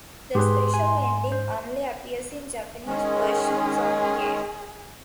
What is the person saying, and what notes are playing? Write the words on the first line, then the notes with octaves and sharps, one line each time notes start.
The special ending only appears in Japanese versions of the game.
G#2 G4 G#4 B4 C6
G#5
C5
D#3 G#3 C#4 G#4